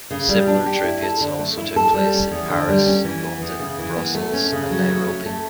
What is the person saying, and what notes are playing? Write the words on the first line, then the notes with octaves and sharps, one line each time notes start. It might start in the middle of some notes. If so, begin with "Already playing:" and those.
Similar tributes also took place in Paris, London, Brussels and Nairobi.
C#3
G3
D4
G4
E4
A4
D3
A3
E4
A4
G3
C#4
E2
D3
G3
C#4
E3
B3
E2
C#3
E3
B3
A3
C#4
C#3
F#3
A3
C#4
A3